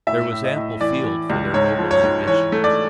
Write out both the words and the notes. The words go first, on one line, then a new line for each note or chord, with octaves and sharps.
There was ample field for their noble ambition.
A2 E5
A2
D#5
A2
E3 D5
E3
C#2
G#2 C#5
F3
C#5
G#2
E3 C#5
A3
D5